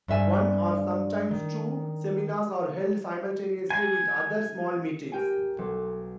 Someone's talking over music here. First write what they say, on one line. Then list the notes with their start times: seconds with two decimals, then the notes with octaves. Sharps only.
One or sometimes two seminars are held simultaneously with other small meetings.
0.08 G2 D5 E5 G#5
1.31 D#3
3.70 G#5
5.12 G4 A#4 G5 G#5
5.58 B1 A4